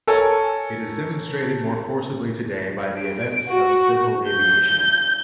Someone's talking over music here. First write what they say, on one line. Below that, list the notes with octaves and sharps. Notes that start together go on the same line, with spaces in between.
It is demonstrated more forcibly today by the events of civil aviation.
A4 A#4 C#5 G#5
D7
F#4
G6